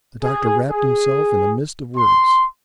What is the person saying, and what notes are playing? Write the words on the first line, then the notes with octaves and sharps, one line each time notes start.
The doctor wrapped himself in a mist of words.
G#4
G#4
C6